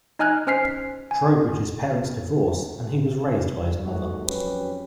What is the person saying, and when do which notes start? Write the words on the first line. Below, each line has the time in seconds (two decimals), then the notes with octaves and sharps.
Trowbridge's parents divorced, and he was raised by his mother.
0.19 D#4 D#5 G#5 F6 F#6 G#6
0.47 C#4 C5 G#5 F6 B6 C7
1.11 G#5
3.85 D#2 F#3 G#3 A3 D#4 F#4
4.26 G#1 F2 F#3 C#4 G4 B4